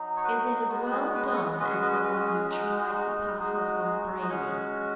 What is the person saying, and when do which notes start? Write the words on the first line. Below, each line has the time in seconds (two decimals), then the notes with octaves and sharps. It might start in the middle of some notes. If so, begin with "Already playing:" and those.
"Is it as well done as the one you tried to pass off on Brady?"
Already playing: F#3 D#4
0.17 C#5
0.24 F#4 B4
0.69 G#3 B3 F#4
0.92 G#4
1.15 F#4 B4
1.28 D#5
1.36 C#5 F#5
1.59 G#3 C#4 F#4 B4 D#5
1.70 C#5 F#5
1.82 B4 D#5
1.93 B4 D#5
2.04 F#4 B4
2.20 F#4
2.27 G#4
2.49 G#3 D#4 F#4
2.94 F#4
3.39 G#3 D#4 F#4 G#4
3.84 G#4
4.22 D#5
4.29 G#3 C#4 F#4 G#4 C#5